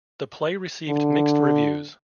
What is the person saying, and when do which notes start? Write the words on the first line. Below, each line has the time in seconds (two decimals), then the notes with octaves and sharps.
The play received mixed reviews.
0.88 D3